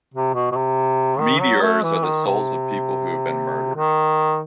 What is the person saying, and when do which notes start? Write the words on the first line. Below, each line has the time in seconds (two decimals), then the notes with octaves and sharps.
Meteors are the souls of people who have been murdered.
0.14 C3
0.35 B2
0.52 B2
0.56 C3
1.19 D#3
1.41 F#3
1.63 A3
1.83 E3
2.04 D#3
2.26 C3
3.75 D#3